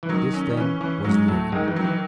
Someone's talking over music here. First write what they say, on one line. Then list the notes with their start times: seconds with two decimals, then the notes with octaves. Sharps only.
This, then, was the end.
0.03 E3
0.09 D#3 F#3
0.33 C#4
0.47 D#3
0.57 E3 C#4
0.81 E3 C#4
1.04 G#2 F#3 G#3
1.28 A2 F#3 A3
1.52 G#2 D#3 G#3
1.68 E3
1.76 F#3
1.85 E3